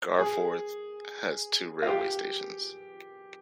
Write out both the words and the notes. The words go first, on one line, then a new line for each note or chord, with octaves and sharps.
Garforth has two railway stations.
G#4
F4
G4